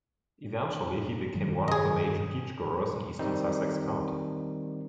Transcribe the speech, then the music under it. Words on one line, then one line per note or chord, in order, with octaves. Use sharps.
Eventually he became one of the major peach growers in eastern Sussex County.
G2 D#3 F#3
G#4 D#5
D#3 G3 C4 D#4